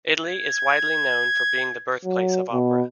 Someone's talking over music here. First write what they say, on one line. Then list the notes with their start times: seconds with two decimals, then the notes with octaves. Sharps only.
Italy is widely known for being the birthplace of opera.
0.25 G#6
2.05 F#3
2.52 B2